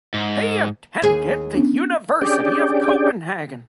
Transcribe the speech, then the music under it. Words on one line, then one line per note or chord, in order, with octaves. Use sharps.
He attended the University of Copenhagen.
G#2
D#2 G#4
B3 C#4 D4
C#4 D4 G4 G#4 D5 G5